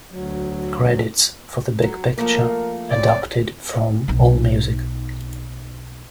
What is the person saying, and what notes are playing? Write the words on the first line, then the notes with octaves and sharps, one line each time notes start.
Credits for "The Big Picture" adapted from Allmusic.
D2 F#3
F#3
F3 A3 A#3 A#4
C#3 C4 C#5 D5
B1 D#4